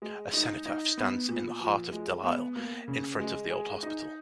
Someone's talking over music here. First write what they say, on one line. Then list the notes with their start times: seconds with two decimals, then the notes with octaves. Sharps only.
A cenotaph stands in the heart of Delisle in front of the old hospital.
0.02 G#3
0.33 D#4
0.66 D#4
0.98 B3
1.29 A#2
1.60 F3
1.92 G#3
2.24 B3
2.56 A#3
2.88 C#3
3.20 G#3
3.50 G#4
3.83 D#4